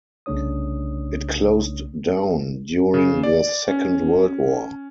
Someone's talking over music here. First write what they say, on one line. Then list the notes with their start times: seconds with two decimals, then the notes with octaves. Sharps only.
It closed down during the Second World War.
0.26 C2 C#3 A3 D4 C#5 D#6
2.94 C#3
3.23 D5
3.68 C#4